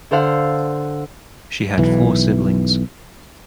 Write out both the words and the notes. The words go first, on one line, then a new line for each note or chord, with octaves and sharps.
She had four siblings.
D3 A4 C5 F5 F#5
B1 E3